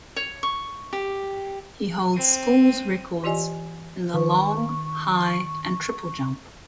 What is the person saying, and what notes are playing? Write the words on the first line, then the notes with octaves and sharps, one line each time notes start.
He holds schools records in the long, high, and triple jump.
C#5
C#6
G4
C4 D#7
E3 F4 G4 D5 D#5 G#5
D#3 B4 C#6